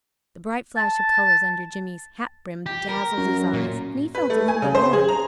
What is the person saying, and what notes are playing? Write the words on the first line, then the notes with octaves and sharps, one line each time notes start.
The bright flash of colours under Jimmy's hat-brim dazzled his eyes, and he felt a little alarmed.
A5
G4
A#4
F#2
A#2
B4
A3
G#5
C#3
C5
G#4
A#5